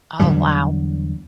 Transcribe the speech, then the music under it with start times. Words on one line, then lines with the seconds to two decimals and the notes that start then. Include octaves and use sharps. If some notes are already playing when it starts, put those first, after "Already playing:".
Oh, wow.
0.20 E2 D3 F#3 G3